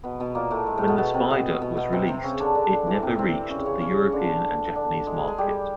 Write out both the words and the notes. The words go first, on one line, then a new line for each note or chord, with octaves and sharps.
When the Spyder was released, it never reached the European and Japanese market.
B2 B3
B2 B3
A#2 A#3
A2 A3
G#3
A2 A3
B2 B3
B2 B3
C3 C4
B2 B3
B2 B3
B2 B3
C3 C4
C3 C4
C#3 C#4
D3 D4
D3 D4
E3 E4
C3 C4
C3 C4
C#3 C#4
C#3 C#4
C#3 C#4
D3 D4
D3 D4
G#3 G#4
G#4
G3 G4